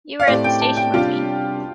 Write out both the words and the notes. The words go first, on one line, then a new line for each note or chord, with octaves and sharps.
You were at the station with me.
F5
A2 A3 C4 G4 D5
G5
A5
G5
C3 G3 D4 F4 G4